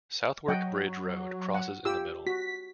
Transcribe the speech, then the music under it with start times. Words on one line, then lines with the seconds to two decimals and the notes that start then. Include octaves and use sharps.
Southwark Bridge Road crosses in the middle.
0.48 F#3 D#5 F#5 G5
1.54 F#5
1.85 F4 G4 E6
2.27 F#4 B6